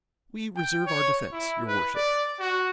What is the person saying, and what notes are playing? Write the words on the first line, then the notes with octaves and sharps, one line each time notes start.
"We reserve our defence, your worship."
G5
C#5
E4
B4
D5
F#4